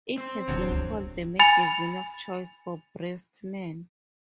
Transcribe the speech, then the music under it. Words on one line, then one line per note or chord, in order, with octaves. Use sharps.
It has been called "the magazine of choice for breast men".
C4 C5
D1 E2 G2 F#3
C#2
G#5 B5 A6 F7